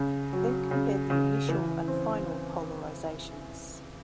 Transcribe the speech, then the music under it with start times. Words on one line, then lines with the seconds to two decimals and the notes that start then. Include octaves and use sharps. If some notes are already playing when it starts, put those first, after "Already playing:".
Then compare the initial and final polarizations.
Already playing: C#3
0.33 F#3
0.71 C#3
1.10 C#3
1.49 E3
1.88 C4